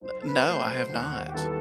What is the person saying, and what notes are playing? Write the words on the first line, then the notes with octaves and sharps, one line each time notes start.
N no, I have not.
B1 C5
A4
B4
B2 A3 C5
D#5
C5
D#2 F#4
G4
D#3 G3 B3 E4 A4